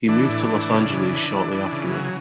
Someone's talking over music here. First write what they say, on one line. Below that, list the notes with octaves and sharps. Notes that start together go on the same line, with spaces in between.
He moved to Los Angeles shortly afterward.
E3 D4
A2
E3
C#3
E3
E3
E3
E3
C#3
F#3